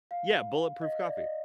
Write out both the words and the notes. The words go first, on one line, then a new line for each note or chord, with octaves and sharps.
Yeah, bulletproof coffee.
F5
D#5
D5
D#5